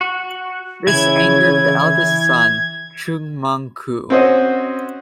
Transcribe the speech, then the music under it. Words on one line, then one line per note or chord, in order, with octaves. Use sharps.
This angered the eldest son Chung Mong-koo.
F#4
C#3 E3 E4 G#6
C4 C#4 F#4 C5 D#5